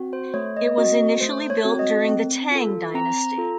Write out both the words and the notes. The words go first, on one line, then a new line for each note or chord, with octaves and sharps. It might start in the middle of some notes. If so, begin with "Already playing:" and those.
It was initially built during the Tang dynasty.
Already playing: C4 F#4
C5
A3 C#5
D#5
C4 F#4 D#5
A3 C5
C#5
C4 F#4
D#5
C4
F4 A4
C4 A#5
F4 A4